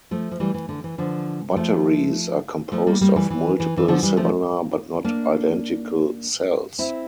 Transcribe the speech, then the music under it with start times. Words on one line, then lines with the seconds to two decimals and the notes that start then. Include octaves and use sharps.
Batteries are composed of multiple similar, but not identical, cells.
0.11 F3 A3
0.31 F3
0.40 E3 G3
0.54 E3
0.69 D3
0.84 E3
0.98 D3 F3
1.51 G3
1.57 F3 A3
2.72 F3 A3
2.87 G3 A#3
3.01 G3 A#3
3.16 E3 G3
3.30 E3
3.60 E3
3.77 E3
3.88 D3 F3
4.03 E3 G3
4.17 F3 A3
5.04 A#3 D4
6.79 C4 E4